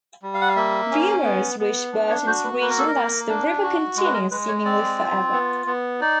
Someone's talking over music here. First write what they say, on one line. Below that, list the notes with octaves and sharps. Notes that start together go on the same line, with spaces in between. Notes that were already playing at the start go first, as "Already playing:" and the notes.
Rumors reach Burton's region that the river continues seemingly forever.
G3
F5
F#5
F5
A#3 E5
C#4
B3
B3
D4
C#5
F#4 C5
B4
A#3 B4
A#4
A4
A#4
A#3
D4
F#4
G#3
B4
A#4
G#3 B4
C#5
C4 D5
F4
B3
B3
D#4 D5